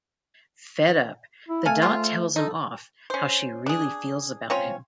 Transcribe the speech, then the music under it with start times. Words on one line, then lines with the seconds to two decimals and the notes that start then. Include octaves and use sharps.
Fed up, the dot tells him off how she really feels about him.
1.49 E4
1.65 A3 A4 F5 G#5
1.82 F3 G#3 F4
2.36 D#4 A4
3.10 C#4 C5
3.66 D4 G#4
4.50 C4 C#4 F4 C#5